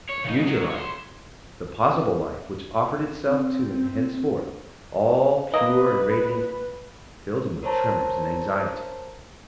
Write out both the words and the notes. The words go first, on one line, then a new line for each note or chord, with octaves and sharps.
The future life, the possible life which offered itself to him henceforth, all pure and radiant, filled him with tremors and anxiety.
C#5
C#3 D#4
F#3
C#5 C6
C4
A#3 B4 D#5
A#4 C5 C#5 A5 A#5